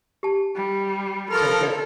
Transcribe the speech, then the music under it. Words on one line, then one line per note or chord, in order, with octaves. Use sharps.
So good.
G4 A5
G3
F3 A4 A#4 B5 C#6 F6